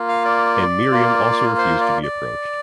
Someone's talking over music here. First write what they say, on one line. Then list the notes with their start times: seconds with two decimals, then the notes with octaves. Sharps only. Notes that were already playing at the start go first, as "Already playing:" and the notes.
And Miriam also refused to be approached.
Already playing: A#3 F4
0.08 F5
0.25 D5
0.91 A#3 F4
1.58 C5
1.81 D5
2.03 D5